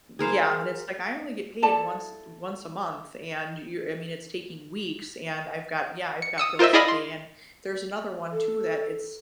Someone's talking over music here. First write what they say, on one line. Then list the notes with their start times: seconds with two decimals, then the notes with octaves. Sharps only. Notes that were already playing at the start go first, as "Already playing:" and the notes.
yeah, and it's like, "I only get paid once once a month, and you're I mean, it's taking weeks, and I've got," Yeah "I've got bills to pay," and there's another one too that it's
0.19 G#4 A#4 C5 F5
1.62 E4 A4 D5 A5
6.22 C#7
6.38 D#6 E6 C#7
6.59 F4 A#4 C5 D#5 E5
6.73 E4 G#4 D5 D#5 F5 B5
6.88 C6
8.32 A4